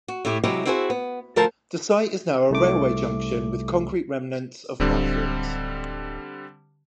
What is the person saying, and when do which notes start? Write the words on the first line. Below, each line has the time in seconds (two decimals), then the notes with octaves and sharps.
The site is now a railway junction with concrete remnants of platforms.
0.08 F#4
0.25 A2 A3 E4 G4
0.44 C3 F#3 G#3 C4 E4 G4
0.65 C4 E4 F#4 G#4 B4 C5
0.90 B3
1.36 D2 F3 A4 A#4 C5 A5
2.50 C2 A3 D6
4.80 D1 D3 G3 C4